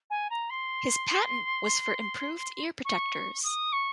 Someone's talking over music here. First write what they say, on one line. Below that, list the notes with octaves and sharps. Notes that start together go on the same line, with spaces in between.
His patent was for improved ear protectors.
G#5
A#5
C6
C#6
D#6
C#6